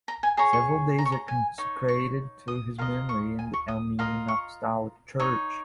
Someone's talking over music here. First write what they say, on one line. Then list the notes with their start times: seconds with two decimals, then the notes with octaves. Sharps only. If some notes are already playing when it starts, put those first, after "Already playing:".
Several days are consecrated to his memory in the Armenian Apostolic Church.
0.08 A#5
0.23 G#5
0.37 G#4 C#5 A#5
0.53 C#6
0.98 A#5
1.05 C#6
1.12 A#5
1.28 G#5
1.58 D#4 C#5
1.88 C#6
2.48 D#6
2.78 F4 A#4 D#5
3.09 C#6
3.39 G#5
3.53 C#6
3.68 D#6
3.99 F4 A#4 D#5
4.28 C#6
5.20 D#4 C#5